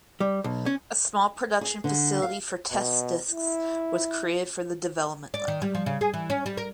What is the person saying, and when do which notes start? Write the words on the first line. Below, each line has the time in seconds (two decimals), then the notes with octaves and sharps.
A small production facility for test discs was created for the development lab.
0.20 G3
0.44 B1
0.66 C#4
1.61 G#4
1.84 D3
2.22 F5
2.72 B2
3.31 E4
5.34 D5
5.48 D#3
5.62 G3
5.75 F3
5.86 C#3
6.01 G#4
6.14 E3
6.30 C#4
6.46 G3
6.57 A#4